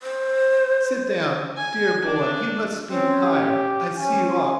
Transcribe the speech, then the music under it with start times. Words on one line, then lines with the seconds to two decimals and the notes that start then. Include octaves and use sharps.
Sit down, dear boy, you must be tired; I see you are.
0.03 C5
1.57 G#5
2.06 D4
2.91 C4 C#4
3.21 G4
3.96 C#4 G#5